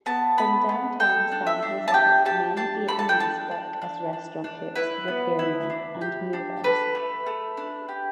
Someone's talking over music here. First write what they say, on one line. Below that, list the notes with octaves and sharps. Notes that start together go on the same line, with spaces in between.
In downtown San Jose, many Vietnamese work as restaurant cooks, repairmen and movers.
B3 A5
B3 B5
B3
A4 G5
D4
E5
D4
A5
G4 G5
G4 A5
D4 A5
A4 B5
A5
G5
D4 A5
D4
D4
D4
D4
E4 B4
B3
E4
D4
G4
D4
A4 B4
A3
A3
D4
G4